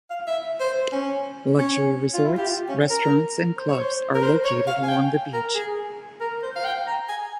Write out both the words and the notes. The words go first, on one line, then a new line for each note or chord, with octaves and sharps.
Luxury resorts, restaurants, and clubs are located along the beach.
F5
E5
C5
C#4
C#4
F4
E4
G4
F4
C#4
A#4
C5
C#5
C5
A#4
C5
C#5
F5
G#5
G5
A#4
G#4
A#4
C5
F5
G5
A#5
G#5